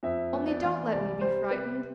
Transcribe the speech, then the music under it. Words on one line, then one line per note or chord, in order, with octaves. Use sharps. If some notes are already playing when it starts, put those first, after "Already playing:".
"Only don't let me be frightened."
F2 E5
B3
D5
E3
C2 D5
G3 C5
C3 B4